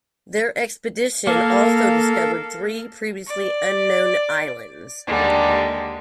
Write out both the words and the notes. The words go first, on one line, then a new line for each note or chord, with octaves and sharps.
Their expedition also discovered three previously unknown islands.
A#3 A4 A#4 F5
D5
D#2 D3 G3 G#3